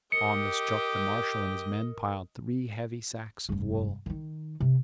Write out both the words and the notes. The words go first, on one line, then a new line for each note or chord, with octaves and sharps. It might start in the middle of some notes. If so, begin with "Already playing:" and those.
On this truck the marshal and his men piled three heavy sacks of wool.
G4 A#4 D#5 C#7
F1 G2
D#3 D#4
C3